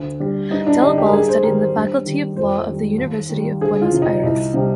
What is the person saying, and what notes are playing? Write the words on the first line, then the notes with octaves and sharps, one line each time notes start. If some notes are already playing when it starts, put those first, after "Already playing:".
Del Valle studied in the Faculty of Law of the University of Buenos Aires.
Already playing: D2
D3 G3
G2 D#4
D4
D3 G3 D#4
G4
A#4
G2 G#4
C5
D#3 G3 A#4
C5
G2
D#3 G3
F2 C5
D#3 G3
D#2
D#3 G3
D2 G#4
F4
C3 F3
D#4
C2
C3 G3